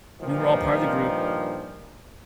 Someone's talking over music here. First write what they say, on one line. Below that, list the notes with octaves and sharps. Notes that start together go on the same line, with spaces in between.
we were all part of the group,
G2 A#2 D#3 F3